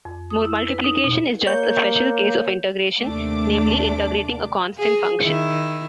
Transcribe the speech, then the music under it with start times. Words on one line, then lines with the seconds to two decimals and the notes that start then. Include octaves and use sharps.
Multiplication is just a special case of integration, namely integrating a constant function.
0.05 F2
0.30 D#6
0.45 E4
0.68 B4
0.84 D#4
1.04 B2
1.47 A#3 C#5 G6
3.01 D#2 C3 A3 D4 D6
4.78 G#4
5.22 D#3 E4